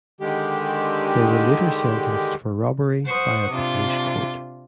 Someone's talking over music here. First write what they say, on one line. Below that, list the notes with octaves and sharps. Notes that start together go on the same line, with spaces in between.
They were later sentenced for robbery by a Polish court.
D3 D#3 G#3 G4
C5 F#5 C#6 D#6
C3 D4 F4